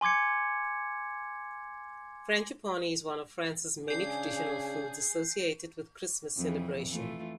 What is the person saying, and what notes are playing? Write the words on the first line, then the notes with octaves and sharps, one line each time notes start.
Frangipane is one of France's many traditional foods associated with Christmas celebration.
G#5 C6 D6 G#6 C#7
C#3 D4 G#4 G6 C7
F2 E3
E3 A3 F4